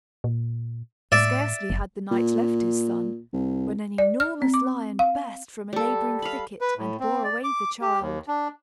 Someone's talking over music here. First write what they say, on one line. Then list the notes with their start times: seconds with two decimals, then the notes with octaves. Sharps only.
Scarcely had the knight left his son, when an enormous lion burst from a neighboring thicket and bore away the child.
0.24 A#2
1.12 A2 D5 E5
1.70 F#1
2.11 A#2
3.33 C2
3.98 D5
4.20 F6
4.42 C4
4.54 D6
4.99 F5
5.73 G3 A4
6.22 F5 B5
6.61 B4
6.78 A2
7.00 C4
7.24 D5
7.44 D6
7.81 G4
8.01 D#2
8.28 D4